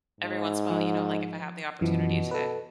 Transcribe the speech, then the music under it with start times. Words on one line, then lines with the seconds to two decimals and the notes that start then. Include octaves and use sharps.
every once in while, know, like if I have the opportunity to,
0.21 G#2
0.70 F3
1.81 F#2 B2 E3 F3
2.31 A4 B4